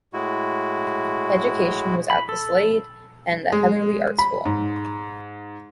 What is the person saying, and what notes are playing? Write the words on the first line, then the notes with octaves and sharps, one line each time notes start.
Education was at the Slade and the Heatherley Art School.
A2 G#3 E4 F#4
B5
A4
G#3
B5
G#2